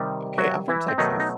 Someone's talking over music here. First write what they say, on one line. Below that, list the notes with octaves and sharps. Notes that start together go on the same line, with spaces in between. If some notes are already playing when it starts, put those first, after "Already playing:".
Okay, I'm from Texas.
Already playing: C3 D#3 G3
F#3 F#4
E3 E4
C4
B2 D#3 F#3 A3 D#4
D#4